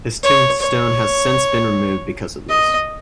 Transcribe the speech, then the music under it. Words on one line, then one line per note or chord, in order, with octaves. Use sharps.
His tombstone has since been removed because of this.
C#5
C#5
D#5